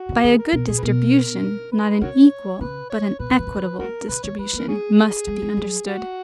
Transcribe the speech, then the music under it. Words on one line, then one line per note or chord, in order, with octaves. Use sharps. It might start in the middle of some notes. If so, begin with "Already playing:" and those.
By a good distribution, not an equal but an equitable distribution must be understood.
Already playing: F#4
C#3
D#3 G#4
A#4
B2 A#4
A#2 G#4
B4
B2 A#4
B4
C#3 F#4 A#4 C#5
C#3 B4
C#5
B2 B4
C#3
D#3
C#3
D#3
A#3 F#4 A#4
C#3 B4
D#3 C#5
G#3 B4
A#3 A#4
C#4 G#4
G#3
G#3
F#3
F#4